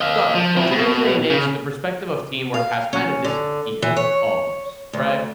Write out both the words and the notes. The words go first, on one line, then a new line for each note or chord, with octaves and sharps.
So, in today's day and age, the perspective of teamwork has kinda disappeared, almost, right?
D#5 F5
F3
C4 E4
B2
C#3
F5
C#4
D3
E3
C#5
D2